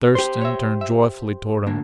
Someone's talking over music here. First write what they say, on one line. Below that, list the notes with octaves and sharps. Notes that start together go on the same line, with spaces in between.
Thurston turned joyfully toward him.
G4 C5 C6
C#5 E5
E5
D2 A#3 D4